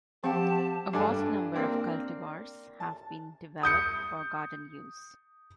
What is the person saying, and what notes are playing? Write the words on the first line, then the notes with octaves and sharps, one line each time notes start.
A vast number of cultivars have been developed for garden use.
F3 C4 G4 F5 F#5 A5
G2 A3 D4 G#5 A5
A#3 C4 D4
A5
D#6 G6 C#7